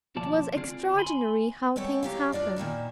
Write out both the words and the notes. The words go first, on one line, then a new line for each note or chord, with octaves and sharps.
It was extraordinary how things happened.
D#2 B2 F3 F4 D5 A5
D3 C4 F4 G#4 D5
G#5 B5 C6
G#3 B3 C4 A4 C#5
F#3 G4 F5
D4 F4 D5 D#5
A#2 D#3 A#3 E4